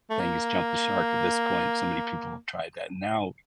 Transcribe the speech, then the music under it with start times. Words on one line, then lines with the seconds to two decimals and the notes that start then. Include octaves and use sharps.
thing has jumped the shark at this point, so many people have tried that. And now,
0.10 A3
0.20 A#3